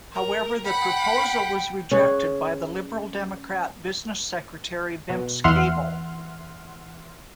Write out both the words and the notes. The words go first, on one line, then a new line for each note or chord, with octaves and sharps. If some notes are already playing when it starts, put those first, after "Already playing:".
However, the proposal was rejected by the Liberal Democrat Business Secretary Vince Cable.
A#4
F#5 G5 B5
C#4 G#4 C#5 F#5
B2
E2 E3 E5 F#5 C6 F6